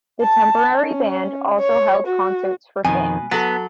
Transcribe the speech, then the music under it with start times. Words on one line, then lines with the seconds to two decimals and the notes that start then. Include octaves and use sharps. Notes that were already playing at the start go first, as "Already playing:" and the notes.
The temporary band also held concerts for fans.
0.22 A5
0.81 C#4
1.60 C#5
2.07 F#4
2.85 F2 B2 D#3 G#5
3.31 F#3 B3 A4